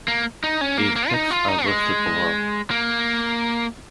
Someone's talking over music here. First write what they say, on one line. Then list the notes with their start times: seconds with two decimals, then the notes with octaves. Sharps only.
These picks are listed below.
0.08 A#3
0.44 D#4
0.61 C#4
0.78 A#3
0.96 A#3
1.08 F4
1.14 D#4
1.31 F4
1.48 D#4
1.66 G#3
2.71 A#3